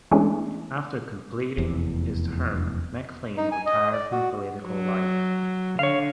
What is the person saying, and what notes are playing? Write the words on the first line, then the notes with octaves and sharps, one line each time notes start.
After completing his term, McLean retired from political life.
E3 G#3 A3 B3 C#4 D4
F1 E2
D#4
G#5
D#5
D5
F#4
F#3
D3 C#5 F5